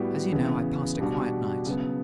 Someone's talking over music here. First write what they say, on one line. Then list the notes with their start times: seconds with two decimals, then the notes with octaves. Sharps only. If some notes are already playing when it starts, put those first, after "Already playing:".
As you know, I passed a quiet night.
Already playing: A2 G3 B3 F#4
0.32 E2 C#3 E3 B3
0.99 B2 G3 D4 F#4
1.65 C#3 F#3 B3